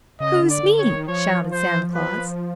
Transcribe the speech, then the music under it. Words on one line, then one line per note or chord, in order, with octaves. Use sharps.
"Who's me?" shouted Santa Claus.
C#3 D#5
D3
D5
D3
C#5
D#3
F3 C#5
C5
B4